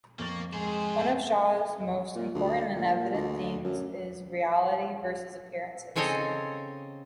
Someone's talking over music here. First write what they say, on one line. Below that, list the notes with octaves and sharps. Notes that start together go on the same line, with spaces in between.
One of Shaw's most important and evident themes is reality versus appearances.
F2 A#3 C#6 A6
G#3 G#4 C5 G#5
A#2
D2
A#2
D2
F#2
C#3 C4 A4 C#5 D#5 G#5